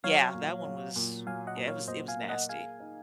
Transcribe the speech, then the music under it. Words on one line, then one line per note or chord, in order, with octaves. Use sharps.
Yeah, that one was yeah, it was it was nasty.
F#3 C#5 F5
A#2
F#3
A#2
F#3 F5 G#5
D#5 F#5
A#2
C#5 F5
A#2 C5 D#5
F5 G#5
A#3
D#5 F#5
G#4 F5 G#5
D#4